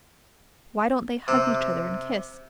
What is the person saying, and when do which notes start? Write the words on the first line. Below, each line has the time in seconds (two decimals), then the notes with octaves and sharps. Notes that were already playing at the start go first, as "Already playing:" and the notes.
Why don't they hug each other and kiss?
1.28 C3